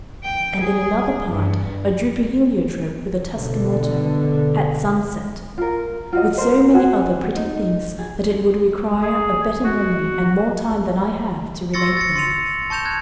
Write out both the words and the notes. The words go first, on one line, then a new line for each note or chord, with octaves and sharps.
And in another part a drooping heliotrope with a Tuscan motto: AT SUNSET--with so many other pretty things that it would require a better memory and more time than I have to relate them.
G5
G#4
G2
B2 D3
F4 A#4
F4 F#4 D#5
A#4 C5
F#4 G#4 G#5
D#4
G#4
G#4
F#4
C6 C#6 E6 A6 A#6 C#7
A6 A#6 C#7
C6 C#7 D#7 F7
A5 C#6 G6 E7 F7
F#6 G#6